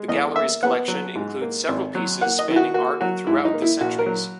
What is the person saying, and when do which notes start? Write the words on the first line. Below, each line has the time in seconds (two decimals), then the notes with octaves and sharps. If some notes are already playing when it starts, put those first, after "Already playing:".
The gallery's collection includes several pieces spanning art throughout the centuries.
Already playing: G#3
0.08 E2 D#5
0.36 A#3 E5
0.63 B3 F#5
0.88 F#3
1.16 G#2
1.41 A#3
1.68 G#1
1.95 F#3
2.21 A#3 F#5
2.39 D#5
2.48 D#3 E4
2.56 F#4
2.74 A#3 F#4
3.01 F#3 F#4
3.27 G#2 E4
3.45 D#4
3.54 A#3
3.62 E4
3.80 A#1 F#4
3.99 A#4
4.06 F#3